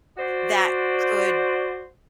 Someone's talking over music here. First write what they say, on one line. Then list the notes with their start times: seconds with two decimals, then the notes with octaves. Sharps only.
that could
0.17 F#4 C5 D5